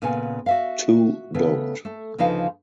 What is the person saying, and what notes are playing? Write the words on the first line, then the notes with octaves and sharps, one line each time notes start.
Two don’t.
A#2 C#3 B3 G#5
F#4 E5 F5
C#3 A3 B3
A3
D2 C#3 F3 D#4 B4 F5